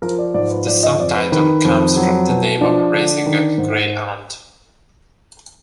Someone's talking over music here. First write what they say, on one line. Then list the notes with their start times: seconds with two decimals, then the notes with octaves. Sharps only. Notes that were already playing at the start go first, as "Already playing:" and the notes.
The song title comes from the name of a racing greyhound.
0.02 F3 A#4
0.18 D5
0.34 G#2 D5
0.51 B4
0.67 F3 D5
0.83 D#5
0.99 F2 D5
1.16 B4
1.32 D#3 B4
1.65 F2
1.96 F#3
2.29 B2
2.61 F3 D4
2.94 D3
3.26 D#3
3.58 G#2